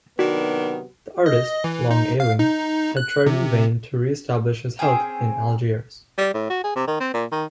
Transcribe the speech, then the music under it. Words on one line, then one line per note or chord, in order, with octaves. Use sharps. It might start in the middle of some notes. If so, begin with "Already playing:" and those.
The artist, long ailing, had tried in vain to re-establish his health in Algiers.
C3 D#3 F#3 B3 D4 F#4
D#5
E3
D#4
F5
D#4
F#6
C3
C4 C#4 G#4 G5
G3
A2
F#4
G#4
C3
D#3
C4
A#2
D#3